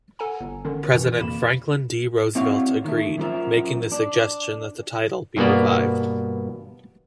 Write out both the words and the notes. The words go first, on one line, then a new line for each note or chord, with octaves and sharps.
President Franklin D. Roosevelt agreed, making the suggestion that the title be revived.
A4 F#5 G#5 A#5
G1
D3 D#3 C#4
F#2 B2 D#3 E3
F2 A#3 B5 E7
A3 C4 E4 F#4 C#5 F5
D#3 A3
F#2 F3 A#4 E5
D4
G2 B2 A#3 B3 D5